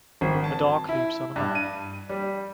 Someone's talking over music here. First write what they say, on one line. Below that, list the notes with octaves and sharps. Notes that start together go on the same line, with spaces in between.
A dog leaps on a man.
G#1
A5
E4
G2
D#7
G3